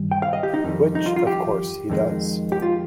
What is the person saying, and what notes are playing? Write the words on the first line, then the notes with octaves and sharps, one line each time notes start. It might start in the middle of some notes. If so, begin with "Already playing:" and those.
Which, of course, he does.
Already playing: G2 D#3 G3
G5
F5
D#5
G4
D#4
F2 D#3 G3
D#4
F4
F4
G4
F2 D#3 G#3
G4
F4